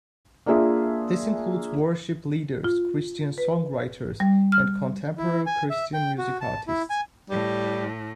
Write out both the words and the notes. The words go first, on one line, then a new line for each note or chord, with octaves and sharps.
This includes worship leaders, Christian songwriters, and contemporary Christian music artists.
A#3 D4 F4 G#4 E5
F4
B4
G3
F6
E4
G#5
E5
G5
F#4
A5
E4
G#5
A2 G3